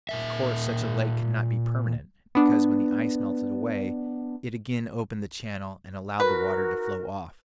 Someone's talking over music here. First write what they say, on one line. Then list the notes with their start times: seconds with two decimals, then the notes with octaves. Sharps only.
Of course such a lake could not be permanent, because, when the ice melted away, it again opened the channel and allowed the water to flow off.
0.09 A#2 A#4 E5
2.35 B3 D4
6.20 D#4 F#4 A#4 B4